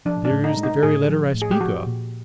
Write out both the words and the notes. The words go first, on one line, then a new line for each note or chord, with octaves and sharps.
'There is the very letter I speak of.
F3 D4
D4
A2
D#4
G#3
D#4
A2 G#4
F3
A2
G#4
G4
F3 F#4
A#2